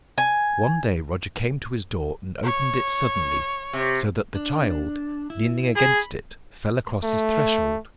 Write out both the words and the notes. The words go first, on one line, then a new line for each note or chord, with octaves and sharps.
One day Roger came to his door and opened it suddenly, so that the child, leaning against it, fell across his threshold.
G#5
C#5
C3
D4
E4
G#4 B5
A3